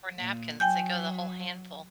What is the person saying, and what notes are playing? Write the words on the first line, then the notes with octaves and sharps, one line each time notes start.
Or napkins, they go the whole handful.
A#2
F#3 G5 G#5 G6